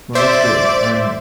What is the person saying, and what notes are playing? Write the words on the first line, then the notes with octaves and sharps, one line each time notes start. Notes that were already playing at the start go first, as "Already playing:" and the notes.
Well, that's good. And,
C5 D5 E5